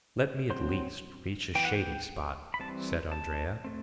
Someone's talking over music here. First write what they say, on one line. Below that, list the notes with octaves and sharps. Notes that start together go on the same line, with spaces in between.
"Let me at least reach a shady spot," said Andrea.
F#3 C4 C5
E3 B3 G5
F#5
G5
B5
E3 G3 C4 A5
A5
A3 C4